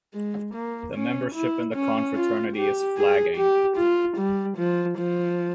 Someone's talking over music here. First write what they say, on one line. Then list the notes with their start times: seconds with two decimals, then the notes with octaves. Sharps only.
The membership in the confraternity is flagging.
0.14 G#3
0.54 A#3
0.95 C#4
1.35 E4
1.75 C#4
2.16 F4
2.56 G4
2.97 G#4
3.37 G4
3.77 F4
4.17 G3
4.57 F3
4.98 F3